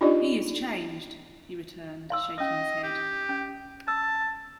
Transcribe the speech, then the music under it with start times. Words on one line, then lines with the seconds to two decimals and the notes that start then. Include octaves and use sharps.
"He is changed," he returned, shaking his head.
0.01 D4 D#4 F4 G4 D5 D#5
2.10 F5 C6 E6
2.38 C#4 D#5 D#6
2.84 G4
3.29 C#4
3.88 A5 E6